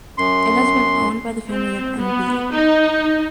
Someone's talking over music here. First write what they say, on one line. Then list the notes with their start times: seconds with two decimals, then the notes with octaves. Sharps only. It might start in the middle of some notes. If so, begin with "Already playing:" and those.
It has been owned by the family of N. B.
0.18 F#2 C6
1.51 C4
2.00 B3
2.54 D#4